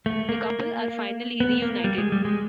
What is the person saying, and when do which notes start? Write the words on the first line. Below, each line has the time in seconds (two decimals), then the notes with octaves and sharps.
The couple are finally reunited.
0.06 A3
0.29 A#3
1.40 B3
1.62 A#3
1.84 G3
1.98 G#3
2.12 G3
2.25 G#3